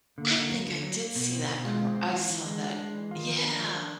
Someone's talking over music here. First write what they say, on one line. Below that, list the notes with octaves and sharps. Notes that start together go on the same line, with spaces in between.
I think I did see that commer I saw that, yeah.
D3 A#3
D3
F#3
D3
F#3
A#3
B2 B3
C4
B2
G#3 F4
C4
F4
E3
E3
G#3
D4
G#3
E3
D#3 F4
F3
D4
F3
D4